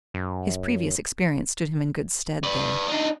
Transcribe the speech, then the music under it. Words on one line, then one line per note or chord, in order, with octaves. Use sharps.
His previous experience stood him in good stead there.
F#2
B4 D5
D4 D#4